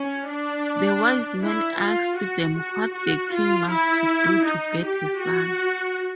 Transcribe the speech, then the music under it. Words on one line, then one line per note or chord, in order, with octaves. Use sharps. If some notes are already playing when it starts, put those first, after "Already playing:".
The wise man asked them what the king must do to get a son.
Already playing: C#4
D4
E4
F4
F#4
F#4
F#4
F4
E4
D#4
G4
F#4